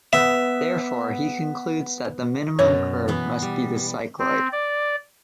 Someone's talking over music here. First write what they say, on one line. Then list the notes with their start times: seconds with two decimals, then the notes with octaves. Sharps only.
Therefore, he concludes that the minimum curve must be the cycloid.
0.13 B3 E5
2.59 F#2 B2 C#5 A#5
3.08 E3 B3
3.42 G3
4.19 C4
4.52 D5